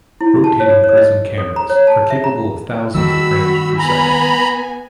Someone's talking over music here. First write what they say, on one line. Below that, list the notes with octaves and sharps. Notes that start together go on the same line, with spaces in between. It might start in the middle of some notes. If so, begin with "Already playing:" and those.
Rotating prism cameras are capable of thousands of frames per second.
E4
A5
C#5
C#5
D#5
A4
A#5
C#5
A5
E5
A#5
D#3 G3 A3 F#4 B5 E6
B3 G#5 A#5 B5